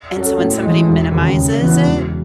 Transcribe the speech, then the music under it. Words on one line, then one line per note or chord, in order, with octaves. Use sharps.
And so, when somebody minimizes it
F#3 C#4 F#4 A4
A2
E3 G#3
E1
D#2 C#3
C#3
E3 B3 F#4
E1